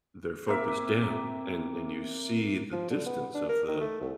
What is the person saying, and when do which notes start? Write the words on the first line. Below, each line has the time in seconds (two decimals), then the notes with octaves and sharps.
they're focused down, and and you see the distance of the
0.47 C3 A#3 E5
2.72 F3
2.91 D3
3.06 B3
3.35 D4
3.49 A#4
3.68 D#3
3.81 A3
4.01 C2